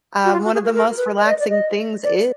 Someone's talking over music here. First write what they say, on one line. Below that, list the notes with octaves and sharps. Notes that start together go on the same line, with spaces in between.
Um, one of the most relaxing things, e
F#4
F4
F#4
G#4
A#4
A#4
B4
D#5
D5
D#5
D5
D#5
D5